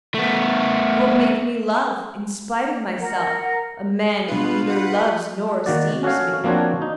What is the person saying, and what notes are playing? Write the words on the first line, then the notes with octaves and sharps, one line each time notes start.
You will make me love, in spite of myself, a man who neither loves nor esteems me.
A3 B3
A#4 F#5
B2 D4 F4 B4
B4 F#5 B5
D#3 A#3 F#4 D5
C#4 F#4 A4 C#5 F5
F3 A#3 C4 D4 F#4 C#5
D#4